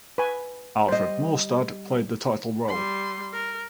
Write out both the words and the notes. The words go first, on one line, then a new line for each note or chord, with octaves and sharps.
Alfred Maurstad played the title role.
B4 G#5
G3 C5 D#5
G3 C6
A#4